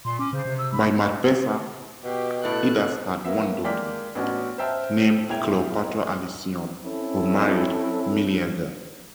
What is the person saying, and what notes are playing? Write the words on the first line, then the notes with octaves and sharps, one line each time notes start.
By Marpessa, Idas had one daughter named Cleopatra Alcyone who married Meleager.
A#2 C6
C#4 D6
C#3 C5
C3
E6
B5
B2 G4
A2 A3 F#6
A#3 B3 E5
G#3 A#3 D5 G5 F6 B6
A1 B3 C#4 D4 F#4 F6
C5 D#5 E5 G5 A5 F6
E1 E4 G5 G#6 F7
C4 C#4 E4 A4